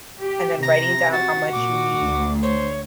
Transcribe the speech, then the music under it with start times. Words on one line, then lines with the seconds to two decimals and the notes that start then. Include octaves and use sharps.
and then writing down how much you need
0.22 G4
0.63 C3 A#5 A#6
1.12 F#4 A6
1.53 A#2 D6
1.99 D2
2.43 C5 C#5